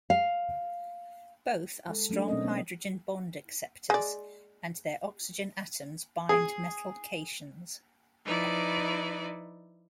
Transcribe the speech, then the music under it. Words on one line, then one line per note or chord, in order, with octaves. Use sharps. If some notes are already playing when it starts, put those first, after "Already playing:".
Both are strong hydrogen bond acceptors, and their oxygen atoms bind metal cations.
F5
G#3 A4
F#3 A3 C#4 D4
B2 F#3 C4 C#4 A#4 D#5
B3
G#3 D5
G#4
F3 D#4 E4 B4 D5